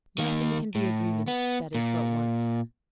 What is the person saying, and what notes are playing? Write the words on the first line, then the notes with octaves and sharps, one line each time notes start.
Nothing can be a grievance that is but once.
D#3 A#3
A2
B3
A#2